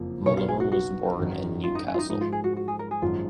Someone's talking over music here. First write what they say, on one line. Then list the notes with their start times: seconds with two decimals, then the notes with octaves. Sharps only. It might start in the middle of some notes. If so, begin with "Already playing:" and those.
Malone was born in Newcastle.
Already playing: F#1 F2 F3 A#3
0.26 B1 B2 F#3 B3 C#5
0.37 F5
0.48 G#4
0.60 F#4
0.72 F#4
1.18 G#1 F#2 D#3
1.64 F4
1.75 D#4
1.87 C#4
1.94 F4
1.98 D#4
2.10 G#2 F3 G#3 D#4
2.21 F4
2.32 G#4
2.44 F#4
2.57 F#4
2.68 G#4
2.79 A#4
2.91 G#4
3.02 G#1 F#2 F3 G#3 F4